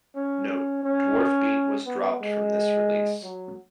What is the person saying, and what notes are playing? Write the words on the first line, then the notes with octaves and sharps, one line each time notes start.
Note: "Dwarfbeat" was dropped from this release.
C#4
C#4
C#4
B3
G#3
F#3